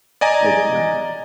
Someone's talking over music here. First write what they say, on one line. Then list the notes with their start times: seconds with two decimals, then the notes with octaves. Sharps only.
It can.
0.21 D5 D#5 G#5 A#5